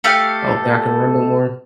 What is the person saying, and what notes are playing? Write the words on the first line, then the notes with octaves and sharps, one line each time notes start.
I don't think I can run no more.
A3 G4 A4 F5